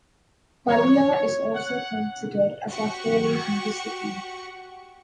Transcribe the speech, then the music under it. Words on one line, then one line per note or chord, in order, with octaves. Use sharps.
Ballia is also considered as a holy Hindu city.
C#5
F#5
F#4 G4 F#5 C#6